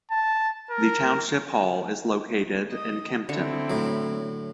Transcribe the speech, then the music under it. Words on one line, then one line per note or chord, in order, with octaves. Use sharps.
The township hall is located in Kempton.
A5
A#4
D#5 D#6
D3 C4 E4
A2 F#3